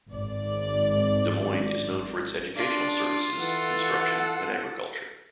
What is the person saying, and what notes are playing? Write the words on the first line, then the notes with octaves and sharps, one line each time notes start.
Des Moines is known for its educational services, construction, and agriculture.
G#1 D5
D4 F4 D5
E3 A4 F#5